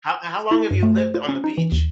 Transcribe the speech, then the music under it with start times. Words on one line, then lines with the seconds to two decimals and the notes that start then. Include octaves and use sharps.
How how long have you lived on the beach?
0.51 E4
0.71 G2
0.83 A3
0.97 C5
1.14 F4
1.29 C#4
1.44 D#4
1.57 E3
1.72 D#2